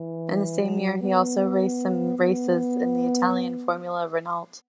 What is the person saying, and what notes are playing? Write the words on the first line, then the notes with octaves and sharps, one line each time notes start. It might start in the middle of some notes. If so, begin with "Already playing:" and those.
In the same year, he also raced some races in Italian Formula Renault.
Already playing: E3
F#3
B3
B3